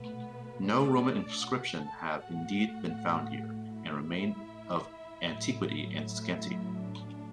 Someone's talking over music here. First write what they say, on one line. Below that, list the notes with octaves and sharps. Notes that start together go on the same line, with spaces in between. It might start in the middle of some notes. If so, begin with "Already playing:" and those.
No Roman inscriptions have, indeed, been found here, and remains of antiquity are scanty.
Already playing: B2 A3 B3 B4
D4 D5
F#4 F#5
A4 A5
A2 A3 F#4 F#5
E4 E5
A2 F#3 A3
E4 E5
D4